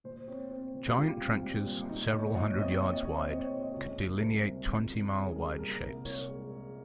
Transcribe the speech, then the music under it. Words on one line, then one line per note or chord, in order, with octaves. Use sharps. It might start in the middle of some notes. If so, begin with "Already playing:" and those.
Giant trenches several hundred yards wide could delineate twenty-mile-wide shapes.
A#2 C5
C4 C#5
C4 C5
A#2
G4
G3 F4
C4
G3
A#2
A#2 D#4
A#2 C#5
A#2 D#5
C#5
C4 D#5
C#5
A#2 C#5
D#5
A#2 C#5
C5
C4 D#5
C#5
A#2 C#5
D#5
C#2 C#5
C3
A#4
G3 C5
C3
G3
C#2
C3 C#5
G#4
G3 A#4
A#2 A#4
C2
C2 C#5
G#3
G#3